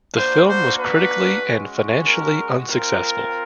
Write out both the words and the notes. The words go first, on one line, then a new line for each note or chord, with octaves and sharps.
The film was critically and financially unsuccessful.
A#3 D4 F#4 C5
C5
B4
G#3 C#4 F#4
A#4
C4 F4 A#4